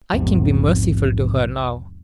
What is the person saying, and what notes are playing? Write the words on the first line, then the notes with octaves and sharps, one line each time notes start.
"I can be merciful to her now."
A#1 E2 G#2 C3 F3